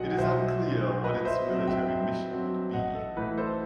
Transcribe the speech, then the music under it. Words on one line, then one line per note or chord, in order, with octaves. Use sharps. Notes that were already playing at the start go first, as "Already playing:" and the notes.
It is unclear what its military mission would be.
Already playing: B1 B2 F#3 D#5 F#5
F#5
B1 C5 E5
B2 F#3
G2 B4 D#5
C5 E5
F#3 C4
E5 G5
G2
F#3 C4
A1 D#5 F#5
A4
A2 E3 B4
A4 C5